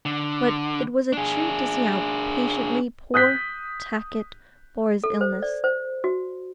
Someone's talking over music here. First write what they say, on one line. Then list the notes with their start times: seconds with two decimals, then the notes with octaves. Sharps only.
But it was a treat to see how patiently poor Tacket bore his illness.
0.06 D3
1.13 D4 G#4
3.14 D#6 F#6 G6 B6
5.04 A4
5.21 C5
5.42 D5
5.64 C5
6.04 F#4